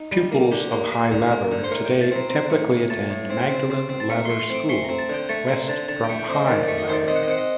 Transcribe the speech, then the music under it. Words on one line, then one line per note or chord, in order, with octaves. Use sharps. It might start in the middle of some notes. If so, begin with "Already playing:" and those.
Pupils of High Laver today typically attend Magdalen Laver school, west from High Laver.
Already playing: D#4
G3
A#3
D3 G4
A#3
A#3
D3
A#3
D3
C5
A2 A#4
G5
A2
A5
C4 A#5
C4 A#5
A2
A2
A2 A5
A2
C4
C4
C4
C4
A5
A3 A#5
A3 C6
C6
C4 D6
A3 C6
C4 A#5
A5
D3 G5
A3 A5
C4 A#5
D3 A5
D3 A5
G5
A3
G5
C4 D#5
D#3 D5
A3 D5
D#5
D#3 C5
D5
C4 D#5
F#5
D#5
C4 F#5
D#5